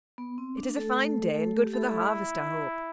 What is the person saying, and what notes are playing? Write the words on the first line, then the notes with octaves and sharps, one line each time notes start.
It is a fine day, and good for the harvest, I hope.
B3
C4
D4
A3 A4
A3 A4
A3 A4
G4
A3 E4 A4